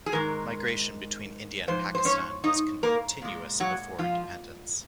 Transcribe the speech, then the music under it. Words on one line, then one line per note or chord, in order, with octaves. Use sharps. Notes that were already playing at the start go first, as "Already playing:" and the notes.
Migration between India and Pakistan was continuous before independence.
G#4
G#2 D#3 G#3 A#4
G#2 F3 C5
C5
C#4 C#5
D#4 D#5
A#3 A#4
A#2 G#3
F#3 F#4
F3 F4